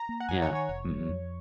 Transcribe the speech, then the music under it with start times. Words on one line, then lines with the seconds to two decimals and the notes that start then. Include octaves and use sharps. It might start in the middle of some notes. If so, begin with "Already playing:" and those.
Yeah, mhm.
Already playing: A#5
0.09 A#3
0.20 F#5
0.29 F2 G#5
0.42 C#5
0.49 D#3
0.55 C#5
0.69 F1 C#5
0.89 F#3
1.09 F2